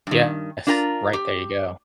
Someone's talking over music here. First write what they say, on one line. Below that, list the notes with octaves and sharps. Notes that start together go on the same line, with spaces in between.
Yes. Right, there you go.
G2 D#3
D4 F4 A#4 G5 A#5
G4